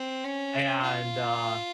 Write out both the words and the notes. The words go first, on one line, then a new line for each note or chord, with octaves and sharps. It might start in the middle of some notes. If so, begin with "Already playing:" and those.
and, uh,
Already playing: C4
C#4
F4